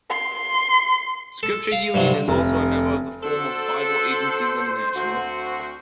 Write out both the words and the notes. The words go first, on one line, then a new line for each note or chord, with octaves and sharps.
Scripture Union is also a member of the Forum of Bible Agencies International.
C6
A4
F5
G2 C3 F#3
F1
D4 F#4 A4 C5
D2 C4 F#4